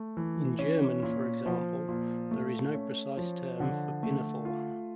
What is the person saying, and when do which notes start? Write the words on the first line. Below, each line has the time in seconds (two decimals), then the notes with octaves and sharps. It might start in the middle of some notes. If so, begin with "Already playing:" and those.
In German, for example, there is no precise term for pinafore.
Already playing: A3
0.17 E3
0.59 C#4
1.03 A#2
1.46 F3
1.89 A#2
2.31 A3
2.74 C#4
3.17 F3
3.60 D3
4.03 A3
4.45 F4